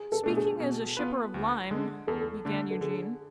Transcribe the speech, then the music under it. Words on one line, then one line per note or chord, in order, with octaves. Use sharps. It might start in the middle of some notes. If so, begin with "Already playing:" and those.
'Speaking as a shipper of lime--' began Eugene.
Already playing: G#4
A4
B2 A3 D4
G#4
B2
B3 F4 B4
D2
D3 G#3
E2 A4
D3 A3 D4
A4
D3 G#4